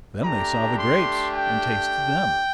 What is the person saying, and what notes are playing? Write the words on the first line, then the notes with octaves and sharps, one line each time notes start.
Then they saw the grapes and tasted them.
A3 D4 G4 A#5
C6
G5